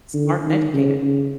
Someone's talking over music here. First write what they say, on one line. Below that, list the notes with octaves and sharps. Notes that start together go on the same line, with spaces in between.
smart and educated.
D3
D#3
C#3
C#3